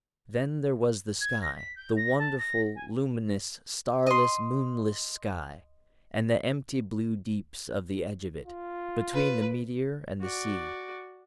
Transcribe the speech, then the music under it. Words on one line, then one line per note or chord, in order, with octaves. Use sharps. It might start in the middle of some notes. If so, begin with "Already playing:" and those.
Then there was the sky, the wonderful, luminous, starless, moonless sky, and the empty blue deeps of the edge of it, between the meteor and the sea.
G#6
A#6
B6
G6
A#6
A5
A#6
G#5
D#5 C6
F4
B4
F#4 D5